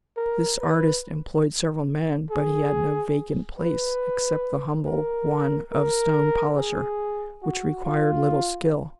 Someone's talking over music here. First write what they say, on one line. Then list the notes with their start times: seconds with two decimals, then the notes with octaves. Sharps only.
This artist employed several men, but he had no vacant place except the humble one of stone polisher, which required little skill.
0.16 A#4
0.60 B4
2.30 G#4
3.59 B4
4.87 A#4
5.72 A#4
6.57 G#4
7.42 F#4
7.85 F4